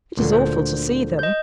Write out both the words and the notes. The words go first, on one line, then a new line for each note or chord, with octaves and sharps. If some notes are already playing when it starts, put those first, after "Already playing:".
It is awful to see them.'
D2 A#2 D3
C5
D#5 G6